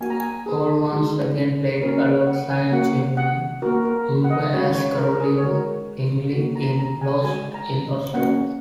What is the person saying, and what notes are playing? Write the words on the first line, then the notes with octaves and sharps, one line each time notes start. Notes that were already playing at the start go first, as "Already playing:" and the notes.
Cole once again played alongside Jemima Rooper as Caroline Bingley in "Lost in Austen".
A#3 F#4 G#5
A#5
G#5
G#4
G#3 D#4 F#4 G#4
A#3 C#4 F#4 A#4
F#5
G#5
A#3 C#4 F#4 F#5
F#5
A#3 F#4 A#4
A#4
F#5
D#5
G#3 C#4 F#4 C#5
C#5
A#4
G#4
C#5
G#3 F#4 A#4
A#3 F#4
A#5
A#5
G#5
G#3 F#4 G#5
A#5
A#3 C#4 F#4 F#5